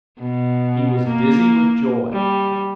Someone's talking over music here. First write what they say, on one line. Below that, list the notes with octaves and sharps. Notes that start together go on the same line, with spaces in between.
He was dizzy with joy.
B2
A#3
G3